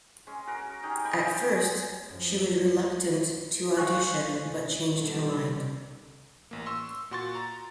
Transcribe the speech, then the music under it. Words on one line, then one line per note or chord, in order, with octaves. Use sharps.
At first, she was reluctant to audition but changed her mind.
G#3 C#4
F#4 A#4
C#4 D#4 G4 G#4
D#5 G5 B5 C#6
C4
G#5
F#2 F3
C5 F5 G#5 C#6 F#6
B2 D3 D#3 G3
A1 A#3
C6 C#6 E6
A#2 F#4 C6 C#6 A6
A#5